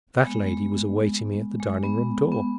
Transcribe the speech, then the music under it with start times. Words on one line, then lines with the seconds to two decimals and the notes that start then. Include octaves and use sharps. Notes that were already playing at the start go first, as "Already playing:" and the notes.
That lady was awaiting me at the dining-room door.
0.17 B3
0.27 G#3
0.47 G#3
1.60 G#3
1.84 B3
2.32 B3